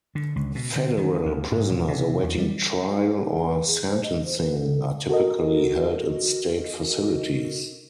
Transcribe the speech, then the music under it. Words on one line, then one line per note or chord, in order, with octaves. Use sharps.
Federal prisoners awaiting trial or sentencing are typically held in state facilities.
D3
C#2
B2
D3
D#3
D2
G#2
E1
C3
E2
G3
D#4
G4
G#4
B4
G#4
C5
D#5
C5
B4
A4
F#4 A4 A#4 D#5